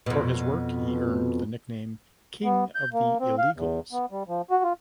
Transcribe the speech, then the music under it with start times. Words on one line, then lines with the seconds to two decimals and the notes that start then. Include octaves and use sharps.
For his work he earned the nickname "King of the Illegals".
0.06 F2 B2
2.44 B3
2.75 G6
2.93 A#3
3.20 C4
3.38 F5
3.57 E2
3.93 B3
4.11 G3
4.28 F3
4.50 F#4
4.64 F4